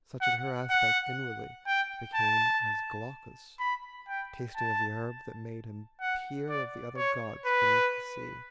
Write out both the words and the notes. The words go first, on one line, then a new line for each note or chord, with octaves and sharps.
Such at her aspect inwardly became As Glaucus, tasting of the herb that made him Peer of the other gods beneath the sea.
F#5
F#5
G5
A5
B5
G5
A5
F#5
D5
C#5
B4